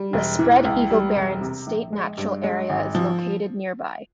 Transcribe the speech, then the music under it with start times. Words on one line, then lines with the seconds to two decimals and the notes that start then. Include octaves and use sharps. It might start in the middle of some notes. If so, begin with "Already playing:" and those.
The Spread Eagle Barrens State Natural Area is located nearby.
Already playing: G3
0.13 E1
0.39 E3
0.65 C#2
0.90 G3
1.16 E1
1.41 C3
1.67 A#1
1.93 G#3
2.18 G2
2.44 G#3
2.70 G#1
2.95 F3